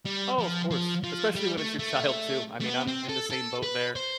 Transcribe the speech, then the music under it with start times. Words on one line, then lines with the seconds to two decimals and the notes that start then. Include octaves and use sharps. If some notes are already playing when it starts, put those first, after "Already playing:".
Oh, of course. Especially when it's your child, too. I mean, I'm in the same boat there.
0.06 G3
0.39 F3
0.71 F3
1.04 F3
1.36 G3
1.58 A3
1.79 A3
2.61 A3
2.66 B3
2.87 C4
3.09 A4
3.31 A4
3.63 B4
3.96 C5